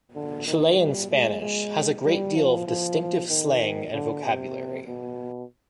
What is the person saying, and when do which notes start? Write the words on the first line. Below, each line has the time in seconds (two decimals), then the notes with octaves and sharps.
Chilean Spanish has a great deal of distinctive slang and vocabulary.
0.15 D3
0.47 D#3
0.79 G3
1.11 G#3
1.42 G#3
2.05 G3
2.36 F3
2.68 F3
3.30 D#3
3.93 D3
4.25 C3
4.87 B2